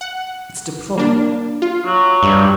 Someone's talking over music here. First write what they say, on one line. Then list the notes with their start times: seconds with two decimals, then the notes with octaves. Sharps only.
It's deplorable.
0.01 F#5
0.98 A#3 D4
1.62 F4
1.85 F#3
2.23 G2